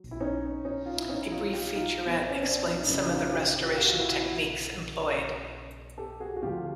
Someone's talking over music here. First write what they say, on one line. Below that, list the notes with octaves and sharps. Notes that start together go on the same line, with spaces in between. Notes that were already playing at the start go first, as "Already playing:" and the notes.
A brief featurette explains some of the restoration techniques employed.
Already playing: F#3
E4
C#4 D#4
C#4 D#4
F4
E4
C#4 D#4
E4
D#4 F4
F4 G4
D#4 F4
B3
C4
C#4
C4 D4
D#4
F#2 C#3 F#3 D4 E4
D#4 F4
F4 G4
F4 G4
F#4
F4
E4 F#4
E4 F#4
G4 A4
F#4 G#4
F#4
D2 D3 F3 F4 G4